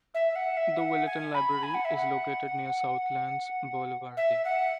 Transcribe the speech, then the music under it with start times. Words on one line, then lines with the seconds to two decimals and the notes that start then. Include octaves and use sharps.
The Willetton Library is located near Southlands Boulevarde.
0.14 E5
0.35 F#5
0.57 E5
0.78 F#5
1.06 G#5
1.34 B5
1.63 G#5
1.74 F#5
1.85 E5
1.97 F#5
4.17 E5
4.45 F#5